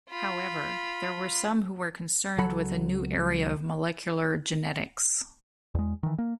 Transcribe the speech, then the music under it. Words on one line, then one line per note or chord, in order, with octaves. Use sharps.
However, there were some who were concerned with the new area of Molecular Genetics.
F4 B5
C#2 F#3 A4 F#5 B5
E2 G#3
D#3 E3
A#3